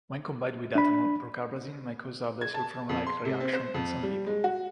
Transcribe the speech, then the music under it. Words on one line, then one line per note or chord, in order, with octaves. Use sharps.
When combined with ethanol, procarbazine may cause a disulfiram-like reaction in some people.
D4 B5
G#6
A5
F2
C6
C3
C4
C5
F2
G3
G#3
F#4